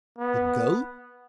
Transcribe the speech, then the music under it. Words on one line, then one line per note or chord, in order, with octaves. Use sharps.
"The goat?"
B3